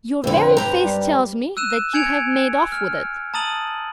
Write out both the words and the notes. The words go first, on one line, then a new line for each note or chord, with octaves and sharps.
"Your very face tells me that you have made off with it."
F2 D3 B4 C5
G2 G4 A#5
G3
E6 F#6 D#7 E7
G#5 G6 G#6 C#7 D7 F7
F6
A5 A#5 D#6 A6 D#7 F#7